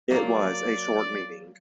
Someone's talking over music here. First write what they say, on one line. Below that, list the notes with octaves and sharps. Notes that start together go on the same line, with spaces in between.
It was a short meeting.
F#3 A#3 D5